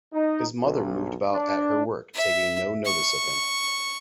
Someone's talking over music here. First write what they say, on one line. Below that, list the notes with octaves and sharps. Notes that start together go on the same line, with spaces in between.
His mother moved about at her work, taking no notice of him.
D#4
B1
D4
E5
C#6